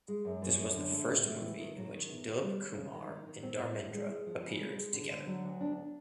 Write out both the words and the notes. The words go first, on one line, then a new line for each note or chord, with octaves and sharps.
This was the first movie in which Dilip Kumar and Dharmendra appeared together.
G#3
F#2
F#2
F#2
D3
A3
A2
A3
E3
D#3
F#3
D#3
E2
D#2
G3
D#2
C#3
D#3
D#3
D#3
C4
A2
A2
G#3
G#3
F3
C#3
G#3
G#3
D3
D3
F#3
D2
D4
D4